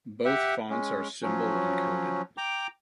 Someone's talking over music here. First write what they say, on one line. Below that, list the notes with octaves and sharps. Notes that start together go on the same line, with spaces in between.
Both fonts are Symbol-encoded.
G4 E5 F#5
G#3 C#4
F3 F#3 C#4
G5 A#5 D6